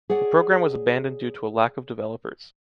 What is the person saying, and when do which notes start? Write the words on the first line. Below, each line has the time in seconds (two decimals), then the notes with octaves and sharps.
The program was abandoned due to a lack of developers.
0.10 G#4 C#5 D5 F#5